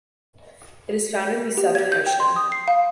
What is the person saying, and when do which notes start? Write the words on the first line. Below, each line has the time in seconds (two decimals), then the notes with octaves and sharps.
It is found in the Southern Ocean.
1.57 G4
1.75 G#6
1.92 G6
2.07 G5
2.20 C6
2.36 D#6
2.52 C7
2.68 F5